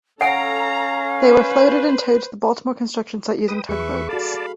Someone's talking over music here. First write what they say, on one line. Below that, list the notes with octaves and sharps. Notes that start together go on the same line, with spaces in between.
They were floated and towed to the Baltimore construction site using tugboats.
C#4 A4 F5 F#5 G#5 A#5
B4 C5
B4 G5 D#6
E2 G#4 B4 E5 C#6
F#4 A4 D5 F5 A5 B5